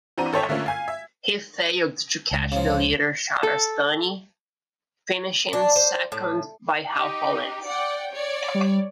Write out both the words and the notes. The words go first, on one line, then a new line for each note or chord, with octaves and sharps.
He failed to catch the leader Shahrastani finishing second by half a length.
E3 C4 D4 F#4 A#5 D#7
G#1 A4 C5 C#5 G5 B6
D3 A3 A#3 C#4 F4
F5 G#5 G#6
E5
C#2
C#3 F3
A4
D4
C5
A2
D#4 G4 D6
D5 F#5 G5
C#5 D5
G3